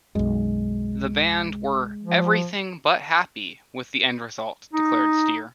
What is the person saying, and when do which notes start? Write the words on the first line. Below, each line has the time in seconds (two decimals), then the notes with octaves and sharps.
The band were "everything but happy" with the end result, declared Steer.
0.15 B1 F#2 G#3
2.03 F3
4.73 D#4